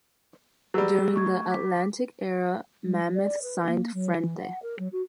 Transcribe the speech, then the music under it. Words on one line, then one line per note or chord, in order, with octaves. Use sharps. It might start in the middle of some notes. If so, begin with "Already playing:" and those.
During the Atlantic era, Mammoth signed Frente!
F#3 G3 G#4 E6 A#6
A3 C#6 G#6
D6 B6
G3
F3
D5
B4
A#3
F#3
E3
F#5
A#4
F#3
F#4